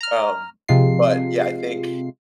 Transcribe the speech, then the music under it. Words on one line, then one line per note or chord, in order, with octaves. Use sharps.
um, but, yeah, I think,
A#5 F6
C3 F3 G#3 F4 C7